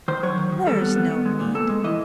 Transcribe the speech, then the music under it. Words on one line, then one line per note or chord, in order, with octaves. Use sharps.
There's no need.
D#3 C5
F#3 C#5
D#3
D#3
G3 A4
B3
B3
B3
G#3
A#2
A#2 A4
G#3
E3 D#5